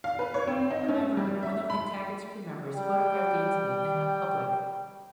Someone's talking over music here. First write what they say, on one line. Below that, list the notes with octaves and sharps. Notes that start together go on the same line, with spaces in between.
However, one of McTaggart's crew members photographed the incident and went public.
F5
B4
C#5
C4
D#4
C#4
G3
E5
B5
G3 G5